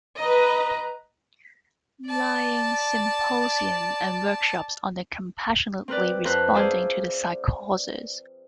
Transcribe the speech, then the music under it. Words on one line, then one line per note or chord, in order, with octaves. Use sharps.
Laing Symposium and workshops on compassionately responding to psychosis.
B4 D#5 A#5
D5 A5
C4 A#4 B4 D5
F2 A4 B4 C5 A#5 F#6
G#4 C5 D5 E5 F5